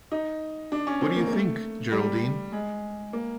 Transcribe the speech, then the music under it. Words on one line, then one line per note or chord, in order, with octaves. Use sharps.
What do you think, Geraldine?
D#4
D4
C#4
C4
A#3
A#3
A3
G3
G#3
A#3